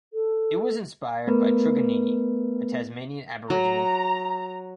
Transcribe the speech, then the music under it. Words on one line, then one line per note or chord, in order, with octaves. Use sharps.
It was inspired by Truganini, a Tasmanian Aborigine.
A4
A3 B3 A#4 B4
F#3 A#5